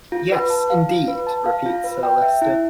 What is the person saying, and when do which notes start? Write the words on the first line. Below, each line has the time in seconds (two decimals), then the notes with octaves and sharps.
"Yes, indeed," repeats Sir Leicester.
0.12 F4
0.32 B4
0.50 A5
0.70 F5
0.89 F4
1.08 B4
1.27 A5
1.46 F5
1.66 F4
1.84 B4
2.03 G5
2.22 E5
2.42 E4